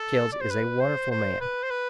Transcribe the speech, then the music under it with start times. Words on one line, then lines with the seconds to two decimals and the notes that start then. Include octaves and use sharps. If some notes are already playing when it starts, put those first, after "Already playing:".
Childs is a wonderful man.
Already playing: A4
0.32 D5
0.41 C5
0.51 B4
0.81 C5
1.11 C5
1.41 B4
1.63 C5
1.71 B4